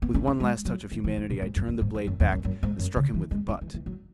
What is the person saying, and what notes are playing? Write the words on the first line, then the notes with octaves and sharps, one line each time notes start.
With one last touch of humanity I turned the blade back and struck him with the butt.
B3
C#4
C#4
G#3
F#3
E3
E3
E3
B2
G#2
F#2
E2
G#2
F#2
F#2
E2
F#2
F#2
G#2
F#2
C#3
E3
G#3
C#4
E3
E3
F#3